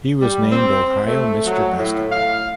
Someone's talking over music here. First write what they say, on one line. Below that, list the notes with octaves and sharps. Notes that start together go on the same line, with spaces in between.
He was named Ohio Mister Basketball.
G3
C4
A3
F#3
A2
F5